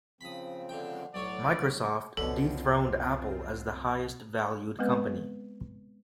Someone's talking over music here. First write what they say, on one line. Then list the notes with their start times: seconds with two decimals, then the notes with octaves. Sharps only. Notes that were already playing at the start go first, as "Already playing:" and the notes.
Microsoft dethroned Apple as the highest valued company.
0.21 C#3 F3 C4 B5 D#6
0.69 D3 G5
1.14 B1 A2 F#3 C#5 D5
2.17 C2 F2 B2 D3 C4 C#4 F4 A4
4.79 G#3 B3 C4 B4